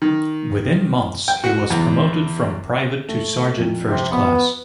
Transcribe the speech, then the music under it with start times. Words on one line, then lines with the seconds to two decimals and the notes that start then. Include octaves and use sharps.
Within months, he was promoted from private to sergeant first class.
0.02 D#3
1.28 G5
1.44 F#4
1.70 E2
3.09 A3
3.59 F2
3.89 C3
4.12 B3